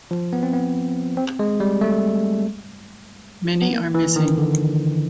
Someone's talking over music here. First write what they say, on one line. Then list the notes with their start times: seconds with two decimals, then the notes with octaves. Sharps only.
Many are missing.
0.11 F3
0.33 B3
0.43 C4
0.54 B3
1.17 C4
1.39 G#3
1.60 G3
1.81 A3
3.62 B3
3.73 A#3
3.95 E3
4.16 D#3
4.38 D3